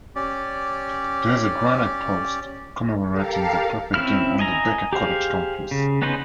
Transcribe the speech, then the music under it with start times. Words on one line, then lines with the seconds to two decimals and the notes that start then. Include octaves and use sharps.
There is a granite post commemorating the perfect game on the Becker College campus.
0.16 C#4 G4 D5
3.10 G4 A4 A#4 F5
3.94 C4 C#4 E4 F6
4.39 D#5 G#5 A#5
4.93 G4 G#4 C5 F5
5.71 C#3
6.02 B3 C#4 D#4 B4 C5